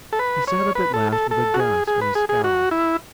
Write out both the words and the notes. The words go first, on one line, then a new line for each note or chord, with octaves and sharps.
He sat up at last with a gasp and a scowl.
A4
B4
C#5
B4
A4
A4
A4
F#4
G#4
G#4
B4
G#4
G#4
F#4
E4